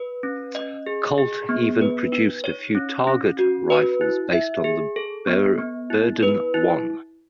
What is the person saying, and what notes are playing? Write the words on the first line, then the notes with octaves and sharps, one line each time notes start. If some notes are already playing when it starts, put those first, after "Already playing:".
Colt even produced a few target rifles based on the Berdan I.
Already playing: B4
C#4
D#5
G#4
G#4
B3
B4
D#4
C#5
C#4
C#4
F#4
B4
E4
E5
G#4
A4
B3
B3
E4
B4
E4